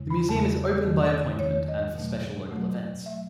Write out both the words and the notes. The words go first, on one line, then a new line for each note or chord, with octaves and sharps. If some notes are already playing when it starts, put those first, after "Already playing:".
The museum is open by appointment and for special local events.
Already playing: E2 C#3 G#3
B5
E2 C#3 G#3 A5
E2 D#3 A3
E2 D#3 A3 C#5
D#5
B2 F#3 A3
B2 F#3 A3
F#3 A3 E5